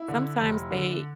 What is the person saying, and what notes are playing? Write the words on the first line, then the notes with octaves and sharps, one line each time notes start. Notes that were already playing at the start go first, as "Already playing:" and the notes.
Sometimes they
Already playing: E4
D3
F1
D3